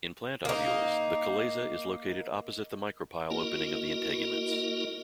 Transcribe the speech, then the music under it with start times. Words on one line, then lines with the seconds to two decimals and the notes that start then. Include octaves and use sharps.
In plant ovules, the chalaza is located opposite the micropyle opening of the integuments.
0.45 A#3 D#4
3.30 A#3 E4 F#4 A#4 D#5